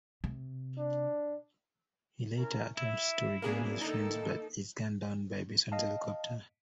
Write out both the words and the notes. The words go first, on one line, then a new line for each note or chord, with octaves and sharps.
He later attempts to rejoin his friends, but is gunned down by Bison's helicopter.
C3
D4
C#4 E4 A#4
E4 E5
F#2 A#3 B3 D4 G#4
A2 D#3 A#3 D#4 A4
D#5 F5 A5